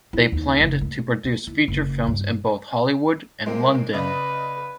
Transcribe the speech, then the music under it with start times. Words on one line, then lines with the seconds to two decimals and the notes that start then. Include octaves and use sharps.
They planned to produce feature films in both Hollywood and London.
0.13 E4
0.32 D#2
0.60 F#1
0.81 A3
1.24 A#3
1.47 E3
1.68 F#1
2.07 G2
3.46 G#3 A#3 C4
3.93 C#3 B4 D5 D#5